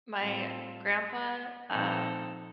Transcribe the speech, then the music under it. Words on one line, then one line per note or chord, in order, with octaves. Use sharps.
my grandpa, uh,
A2 G3 C4 F4 A4
A#2 F3 C4 D#4 A4